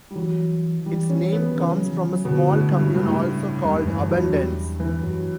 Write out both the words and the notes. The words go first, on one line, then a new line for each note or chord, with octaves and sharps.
Its name comes from a small commune also called Abondance.
G3
E3 F#3
E3 G3
C#4
B3
C#3 E3
F#3
E3
F#3
B2 D3
A2
G2
G2 C#3
A2
G2
E2 G2
F#2
E3
F#2
F#3
E2
G3
E3
F#2 F#3